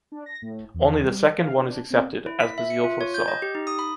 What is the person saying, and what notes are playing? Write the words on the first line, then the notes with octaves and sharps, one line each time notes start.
Only the second one is accepted, as Bazille foresaw.
D4
A#6
A2
E2
G3
F5
D4
C4
E4
B6
E5
C#7
F4
C#5
G6
D#5
G4
D#4
D#6
B5